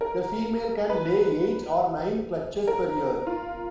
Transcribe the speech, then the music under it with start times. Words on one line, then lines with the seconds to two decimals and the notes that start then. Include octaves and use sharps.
The female can lay eight or nine clutches per year.
0.01 A#4
0.90 B4
2.68 A#4
3.27 F4